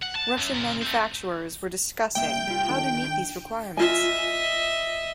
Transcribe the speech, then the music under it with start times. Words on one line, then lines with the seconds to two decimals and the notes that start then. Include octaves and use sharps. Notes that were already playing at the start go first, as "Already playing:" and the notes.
Russian manufacturers were discussing how to meet these requirements.
0.02 F#5
0.15 A5
0.38 F#2
0.54 C#2 A#2
0.82 A3 C4
2.15 C2 A#3 E5 G5
2.47 G3 F4
2.69 D#3 D4
3.77 F4 D#5 E5 G#5